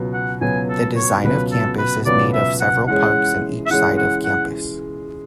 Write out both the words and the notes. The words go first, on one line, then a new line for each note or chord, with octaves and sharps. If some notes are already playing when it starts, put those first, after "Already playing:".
The design of campus is made of several parks in each side of campus.
Already playing: C#2 B2 F#3 B3
F#5
C#2 B2 F#3 B3 G#5
A4
C#5
C#2 B2 F#3 B3 B4
A4
B4
C#2 B2 F#3 B3 D5
E5
F#5
E3 G#3 C#4 G#4 F#5
E5
E3 G#3 C#4 G#4 F#5
F#5
F#5